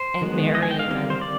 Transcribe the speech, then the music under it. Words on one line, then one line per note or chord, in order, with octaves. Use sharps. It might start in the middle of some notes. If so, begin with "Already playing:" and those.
And Mary even.
Already playing: C5
D#3 G#3 B3
D#5
G#5
G5
F5
D#3 G3 C4
C5
D5